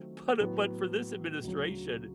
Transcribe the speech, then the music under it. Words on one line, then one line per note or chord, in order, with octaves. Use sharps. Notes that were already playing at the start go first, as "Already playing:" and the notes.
But, uh, but, for this administration,
Already playing: D#3 F#3 A3 C4 F4
A2 F#3 B3
D2 C#3 F#3